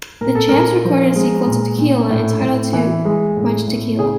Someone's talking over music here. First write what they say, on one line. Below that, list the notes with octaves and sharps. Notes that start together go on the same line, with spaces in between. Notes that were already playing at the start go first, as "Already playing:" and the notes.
The Champs recorded a sequel to "Tequila" entitled "Too Much Tequila".
A#2 A#4
A4
A#2 A#3 A#4
F3
G#3
A#2
A#2
A2
A2
E3
G#3
A2
A2
C#3 G#4